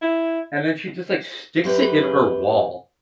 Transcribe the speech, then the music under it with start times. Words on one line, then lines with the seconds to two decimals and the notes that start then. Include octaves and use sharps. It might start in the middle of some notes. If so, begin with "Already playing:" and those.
and then she just, like, sticks it in her wall.
0.02 E4
1.64 F#2 G4 B4